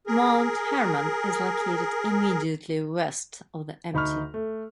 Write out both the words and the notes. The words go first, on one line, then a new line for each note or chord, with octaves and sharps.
Mount Hermann is located immediately west of the Mt.
G#4 A#4
D2 D#4 B5 C#6 F6
A3